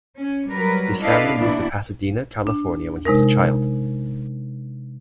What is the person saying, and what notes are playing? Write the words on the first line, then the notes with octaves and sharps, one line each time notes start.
His family moved to Pasadena, California when he was a child.
C#4
F#3 G3 A#4 B4
D4 E4 A4 B4 D#5 F5
B2 E3 A#3 B3 D4 E4
D4
C3 G#3 D#4 A#4